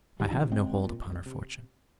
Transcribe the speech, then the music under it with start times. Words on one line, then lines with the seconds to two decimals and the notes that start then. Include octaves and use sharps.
"I have no hold upon her fortune."
0.20 C2 D#3 G3
0.30 D3 F3
0.41 C3 D#3
0.52 G#3 C4
0.63 A#1
0.84 A#2
1.05 C2
1.26 C3